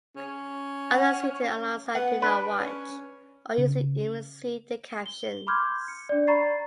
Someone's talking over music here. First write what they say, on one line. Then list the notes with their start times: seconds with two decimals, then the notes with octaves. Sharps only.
Others seated alongside do not watch, or usually even see, the captions.
0.16 C#4
0.92 F#5
1.95 B3 F#5
2.22 D4 B4
2.60 C#4
3.58 C#3
5.06 G7
5.47 B5 C6 D6 F6 G6 G#6
5.88 C#7
6.09 D4 D5
6.27 D5 A#5 B5 C#6 A6 C7